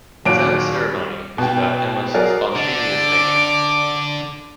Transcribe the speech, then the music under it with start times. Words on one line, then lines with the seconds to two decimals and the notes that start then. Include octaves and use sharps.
"Without Ceremony" is about Emma's spontaneous nature.
0.26 D#2 A#2 F#3 D6 D7
0.75 G3
1.38 B2 G5
2.14 F#3 G#4 A#4 D5
2.56 D3 D5 D6